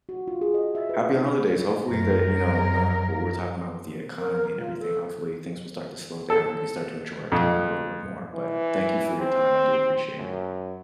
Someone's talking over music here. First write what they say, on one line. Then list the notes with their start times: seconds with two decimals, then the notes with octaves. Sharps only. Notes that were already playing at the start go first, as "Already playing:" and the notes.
Happy holidays. Hopefully that, you know, uh, what we're talking about with the economy and everything, hopefully, things will start to slow down and we can start to enjoy our time a little bit more, but, thank you for your time, I do appreciate it.
0.09 F#4
0.28 F4
0.41 G#4
0.54 D#5
0.75 E5
0.89 B4
1.09 D#4
1.89 F#2 A#4
4.18 A#4
4.57 F4
4.80 A4
6.30 A4
7.32 F2
8.34 E3
9.20 C4
10.17 F#2